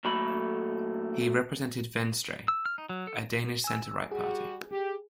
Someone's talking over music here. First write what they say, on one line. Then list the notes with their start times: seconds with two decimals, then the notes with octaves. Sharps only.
He represents Venstre, a Danish centre-right party.
0.05 A#2 F#3 A3 A4 B5
2.48 E6
2.66 F6
2.78 D#4
2.89 F#3
3.07 A4
3.64 G#5 E6
4.11 G3 F#4 G#4
4.72 G4